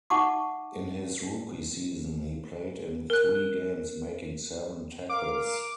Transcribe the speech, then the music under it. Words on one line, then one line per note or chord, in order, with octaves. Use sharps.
In his rookie season, he played in three games making seven tackles.
D#4 E5 F#5 A5 C#6 D6
A#4 F#6
A#4 F5 D6